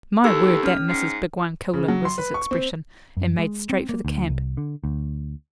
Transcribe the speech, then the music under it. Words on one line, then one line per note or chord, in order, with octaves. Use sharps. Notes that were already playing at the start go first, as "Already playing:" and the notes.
"My word, that missis big one coolah!" was his expression, and made straight for the camp.
D#2 G4 A4 E6
C#4 F6
G#2
C#3
F#3
C6
B4
C#6
C4
F#2
G#3
C4
A#3
D2
C2
D3
D2